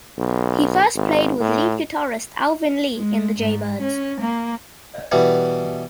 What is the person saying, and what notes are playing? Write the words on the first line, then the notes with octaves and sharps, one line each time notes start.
He first played with lead guitarist Alvin Lee in The Jaybirds.
B1
G#1
A2
G#3
G#2
C#4
A#3
B2 E3 G3